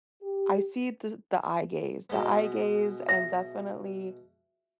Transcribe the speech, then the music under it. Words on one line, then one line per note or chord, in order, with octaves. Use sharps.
I see the s the eye gaze. The eye gaze and definitely
G4
B2 G#3 B3
E5